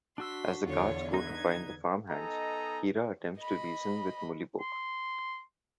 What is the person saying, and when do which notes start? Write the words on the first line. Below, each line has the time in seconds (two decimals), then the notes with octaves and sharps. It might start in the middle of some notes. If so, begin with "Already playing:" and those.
As the guards go to find the farmhands, Kira attempts to reason with Mullibok.
0.18 D4 F#4 C6 E6 B6
0.65 E2 D3 F4 C#5
1.14 D#4 B4 G#6
2.09 B3 D#4 A4 D#5 G#5 A#5
3.37 D#5 B5
4.60 C6